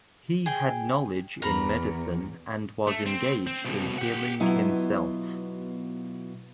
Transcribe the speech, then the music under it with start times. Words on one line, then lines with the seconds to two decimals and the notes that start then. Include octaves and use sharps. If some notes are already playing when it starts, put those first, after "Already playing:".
He had knowledge in medicine and was engaged in healing himself.
0.46 G#4 G5
1.42 E2 A#4 A#5 B5
2.88 A3
3.06 C4
3.47 C4
3.65 C2 B2
3.98 G4 F#5
4.40 B2 F#3 B3 E4 F4 G#5